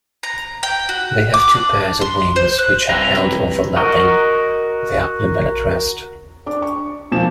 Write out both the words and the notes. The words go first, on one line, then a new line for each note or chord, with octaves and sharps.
They have two pairs of wings, which are held overlapping the abdomen at rest.
A#5
G5
F#4
D6
D4
C6
C5
F#6
G2 C3 C4 E4 A#5
F#4 A#4 D#5
D4 D6
C#6
B1 A#2 F3 E7